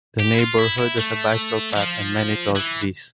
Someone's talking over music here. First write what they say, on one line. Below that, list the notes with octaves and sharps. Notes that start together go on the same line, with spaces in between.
The neighborhood has a bicycle path and many tall trees.
G4
E4
F4
E4
E4
A3
F3
E3